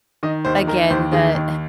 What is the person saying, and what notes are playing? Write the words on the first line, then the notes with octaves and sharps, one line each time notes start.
again, the
D#3 D#5
D#2 C5
D#3 A#4
D#2 C5
D#3 G#4
D#2